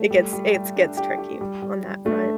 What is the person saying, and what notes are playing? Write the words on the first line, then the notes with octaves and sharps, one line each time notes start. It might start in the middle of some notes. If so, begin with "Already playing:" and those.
it gets it's gets tricky on that front,
Already playing: A3
G3
G3
G3
D4
G4
G4
G3
G3
G3
A3 D4